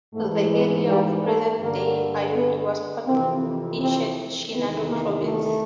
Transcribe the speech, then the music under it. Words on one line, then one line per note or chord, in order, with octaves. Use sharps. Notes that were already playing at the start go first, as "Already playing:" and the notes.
The area of present-day Aoki was part of ancient Shinano Province.
G#2 E3 A3
G#3
G3
A3
G2 D3 A#3
B3
F2 C3 E3 C4
C4
E2 C3 D#3 B3
A#3
A3